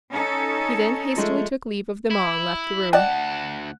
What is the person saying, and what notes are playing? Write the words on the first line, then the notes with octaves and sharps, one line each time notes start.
He then hastily took leave of them all and left the room.
C#4 D#4 A4
F3 G#3 A3
E4
D2 D5 D#5 F#5 G5 A5